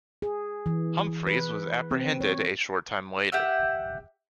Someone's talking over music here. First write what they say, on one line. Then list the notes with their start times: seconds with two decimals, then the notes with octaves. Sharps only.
Humphries was apprehended a short time later.
0.22 G#4
0.66 E3
1.27 B4
1.91 C4
2.21 C#5
3.32 G4 E5 F#5 E6